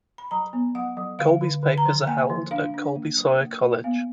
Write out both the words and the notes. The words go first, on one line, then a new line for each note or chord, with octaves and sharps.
Colby's papers are held at Colby-Sawyer College.
B5
F#3 A#5
B3
F#3 F#5
F#3
D3 F5
D3
D3
A#5
F3
A#3 G#5
F3
D4 F5
D4
A#3
F#3
A#3
A#3
B3 F5